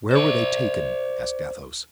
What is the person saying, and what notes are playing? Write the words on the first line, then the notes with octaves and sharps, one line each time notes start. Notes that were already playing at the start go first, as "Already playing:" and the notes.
"Where were they taken?" asked Athos.
C5 D5